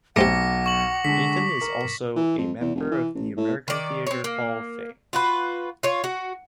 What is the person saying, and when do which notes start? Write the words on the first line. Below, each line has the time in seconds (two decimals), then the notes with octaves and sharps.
Nathan is also a member of the American Theater Hall of Fame.
0.16 B1 A3 C4 G4 F#5 D6 A#6 C#7
0.66 C#6 F#7
1.04 D3 G#3 B6
1.61 A#4
2.16 E3
2.38 F2
2.60 E2
2.75 F1
2.91 E3
3.15 A1
3.37 A2
3.68 D#3 D5
4.07 C4 C#5
4.24 A#3
5.13 F4 F#4 B4
5.83 F4 C#5
6.04 F#4